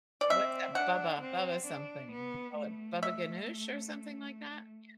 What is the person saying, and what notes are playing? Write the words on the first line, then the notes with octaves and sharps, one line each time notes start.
what's that? Baba baba-something, you call it baba ganoush, or something like that? Yeah.
D5
C4 E5
D4 F#5
C4
D4
B3
A3
E5